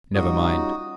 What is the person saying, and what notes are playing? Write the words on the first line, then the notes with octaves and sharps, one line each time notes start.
Never mind.
G3 C#4 D#4 F4 F#4 D#6